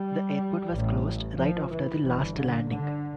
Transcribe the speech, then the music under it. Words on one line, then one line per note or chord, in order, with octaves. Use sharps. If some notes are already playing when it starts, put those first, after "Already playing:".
The airport was closed right after the last landing.
Already playing: G3
A1 A2
F3
E3
G1 G2 E3
D3
D3